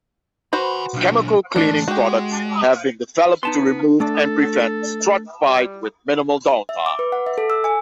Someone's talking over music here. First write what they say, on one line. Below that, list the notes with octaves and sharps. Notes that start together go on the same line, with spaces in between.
Chemical cleaning products have been developed to remove and prevent struvite with minimal downtime.
F#4 B4 C5 G#5 B5
B1 D4
E3 A3 D4
G#3 F#4 G4
B3 D#4 A5 C6
A3 D4 A4
G3
E5
D6
B4
F#5
E5
A4
E6
G#5